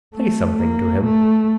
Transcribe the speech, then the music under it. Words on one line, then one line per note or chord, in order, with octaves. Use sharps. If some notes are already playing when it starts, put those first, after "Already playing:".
Say something to him.
A3
A#3
A3